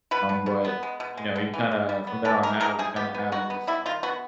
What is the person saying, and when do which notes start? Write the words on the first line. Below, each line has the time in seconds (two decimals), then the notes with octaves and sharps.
Um, but, you know, you kinda from there on out, you kinda have this, uh,
0.11 B2 B4
0.29 B2
0.46 B2
0.65 B3
0.83 G#3
1.00 B2
1.17 G#3
1.36 B2
1.54 E3
1.71 E3
1.89 G3
2.07 B3
2.25 E3 A4
2.43 E3 A#4
2.60 E3 A#4
2.79 G3 G#4
2.96 B3 G4
3.15 B3
3.32 D#3 F#4
3.50 B3
3.67 G3 E4
3.86 D#3 F4
4.03 B3 F#4